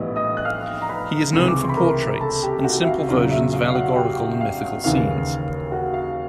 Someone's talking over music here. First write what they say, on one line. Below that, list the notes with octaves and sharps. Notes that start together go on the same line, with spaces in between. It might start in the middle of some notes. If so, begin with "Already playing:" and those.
He is known for portraits and simple versions of allegorical and mythical scenes.
Already playing: A#1 A2 E3 G3 B3 D#5 D#6
D#5 D#6
F#6
F5 F6
A#5
B4 B5
C#2 C3 E3
D6
C#6
C6
B5
A#4 A#5
A4 A5
G4 G5
F#4 F#5
E5
F5
E2 C#3 F#3 F5
E5
F5
F5
F#4 F#5
G4 G5
F5
D#2 C#3 E3 F5
F#4 F#5
F5